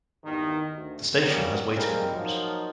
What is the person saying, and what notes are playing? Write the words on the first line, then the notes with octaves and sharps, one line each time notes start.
The station has waiting rooms.
E2 G2 D#3
D2
C#3 F#3 G3 A#3 B3
G3 G#3 A#3 C4 A#4
F3 F#3 A#3 D#4 F4